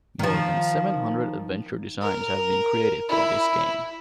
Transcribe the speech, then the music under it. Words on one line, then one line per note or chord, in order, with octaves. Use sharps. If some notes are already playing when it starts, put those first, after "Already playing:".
More than seven hundred adventure designs have been created for this game.
D#3 F3
A#4
E4